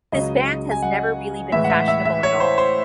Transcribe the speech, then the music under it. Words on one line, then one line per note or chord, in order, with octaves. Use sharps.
This band has never really been fashionable at all.
C#2 C#3 F#3 D#5
G#5
F#5
A2 E3 G#3 E5
F#5
E5
E5
E5
C#5
C5
C5